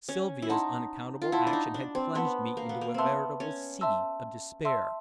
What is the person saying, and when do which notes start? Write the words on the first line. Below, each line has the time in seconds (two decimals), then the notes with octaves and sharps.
Sylvia's unaccountable action had plunged me into a veritable sea of despair.
0.09 C#4
0.42 E4
0.49 D#4 F#5 A5 C6
1.22 F4
1.32 E4 F#5 A5 C6
1.47 D4
1.53 D#4
1.74 D4
1.95 C4
2.15 B3 F#5 A5 C6
2.57 A#3
2.69 B3
2.81 A#3
2.94 B3 C4 E5 A5 C6 E6
3.40 C#4
3.81 E5 A5 C6 E6
4.65 E5 A5 C6 E6